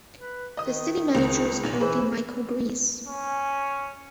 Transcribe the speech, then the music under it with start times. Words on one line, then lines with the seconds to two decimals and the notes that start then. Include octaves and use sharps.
The City Manager is currently Michael Graese.
0.16 B4
0.57 D#3 D#5 D#6
1.15 C#2 D#3
1.63 B1 A#2 F7
1.80 E3 G#4 B4 C5
3.07 C#4